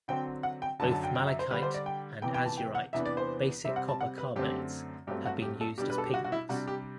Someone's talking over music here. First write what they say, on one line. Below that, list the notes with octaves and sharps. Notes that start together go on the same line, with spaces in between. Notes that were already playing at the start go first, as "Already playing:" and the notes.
Both malachite and azurite basic copper carbonates have been used as pigments.
D3 F#3 C4 G5
F#5
G5
F#2 D3 F#3 A5
A5
G5
G5
E5
C5
D3 G3 D4 B4
C5
D5
G5
C3 E3 B3 G5
G5
A5
G5
F#5
E2 C3 E3 B3 D4 E5
D5
C5
C3 G3 C4 E5
F#5
A5
F#5
B4
F#2 D3 A3 C4 G4
G2 F#3 A3 C4 G4
F#4
G4
A4
B2 G3 D4 G4
B4
A4
G4
F#4
F#4
E4
C3 G3 D4 F#4
G4